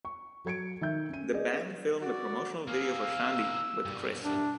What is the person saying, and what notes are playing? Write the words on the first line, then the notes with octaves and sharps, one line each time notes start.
The band filmed a promotional video for "Shandi" with Criss.
C#6
F#3 A4 G#6 C#7 D7
D#3 E5 G6
C#4 D#7
G#4 B4 D5 D#5
F#4 D5
A#3 G#4 F5 E6
G2 B2 G3
D4 E4 G4 A#4